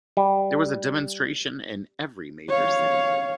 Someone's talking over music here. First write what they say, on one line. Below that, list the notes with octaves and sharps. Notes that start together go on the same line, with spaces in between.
There was a demonstration in every major city.
G3
C#5 F5